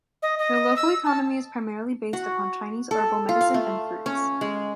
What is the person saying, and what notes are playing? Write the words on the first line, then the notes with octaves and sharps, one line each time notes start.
The local economy is primarily based upon Chinese herbal medicine and fruits.
D#5
D#5
E6
A5
F#4
A4
F4
F5
A3
C#4
G#3